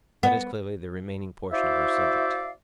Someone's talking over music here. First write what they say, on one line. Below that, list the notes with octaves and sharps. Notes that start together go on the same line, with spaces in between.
That is clearly the remaining portion of our subject.
B3
E4 F#4 C5 D5 E5 F5